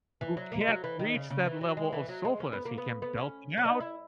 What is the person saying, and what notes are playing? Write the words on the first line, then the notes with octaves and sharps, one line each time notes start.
who can't reach that level of soulfulness. He can belt it out.
E3
F#3
A#3
G#3
F#3
E3
D#3
C#3
C#3
E3
F#3
G#3
E3
F#3
G#3
C#4
B3
A#3
B3
B3
C#4
C#4
D#4
E4